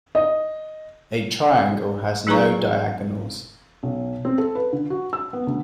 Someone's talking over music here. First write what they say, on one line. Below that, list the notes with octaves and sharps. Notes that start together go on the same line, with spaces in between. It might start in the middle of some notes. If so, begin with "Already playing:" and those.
A triangle has no diagonals.
D#5
F#3 D#4 G#4 B4 A#5 C#6
B1
C4
A4
B4
D3
F#4
E6
B3
D2